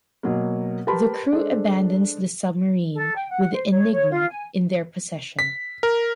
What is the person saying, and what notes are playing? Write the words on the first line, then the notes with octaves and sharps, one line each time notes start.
The crew abandons the submarine with the Enigma in their possession.
B2 F#3 A#3
G4 A#4 B4 A5 B5 C6
G#3 D4 A4 C5
A4
G5
F#5
C5
C#5
C#5
F4
G#5
B6
A#4